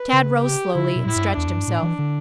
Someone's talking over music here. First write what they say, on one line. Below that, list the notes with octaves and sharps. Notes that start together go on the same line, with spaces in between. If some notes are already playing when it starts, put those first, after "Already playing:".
Tad rose slowly and stretched himself.
Already playing: B4
C#3
G4
D3 E4
C#3
B2
A2 E4
G2
F#2
E2 D4
F#2
G2
A2
E3
D3